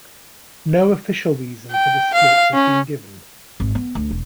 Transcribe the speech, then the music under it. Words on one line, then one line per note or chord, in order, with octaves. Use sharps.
No official reason for the split has been given.
G5
F5
C#4
G#1
B3
D2
E1